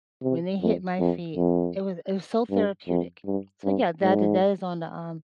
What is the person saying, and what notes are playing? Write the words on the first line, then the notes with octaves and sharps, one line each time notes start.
when they hit my feet, it was it was so therapeutic, so yeah, that that is on the, um
C3
F2
F2
F2
G2
F2
G2
G2
G#2